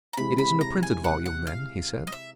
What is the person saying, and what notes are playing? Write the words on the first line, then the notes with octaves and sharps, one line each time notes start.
"It isn't a printed volume, then?" he said.
A#5
C3 E3 G#3 B5
B5
A#5
G#5
F#5
F#5
F5
D#5
E5